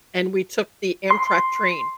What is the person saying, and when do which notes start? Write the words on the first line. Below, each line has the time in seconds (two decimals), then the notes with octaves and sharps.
and we took the Amtrak train,
1.10 C6